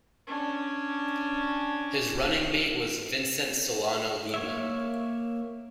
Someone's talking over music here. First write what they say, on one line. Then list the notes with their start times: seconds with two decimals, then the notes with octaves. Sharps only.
His running-mate was Vicente Solano Lima.
0.27 C#4 D4
4.34 A#3 C#5 E5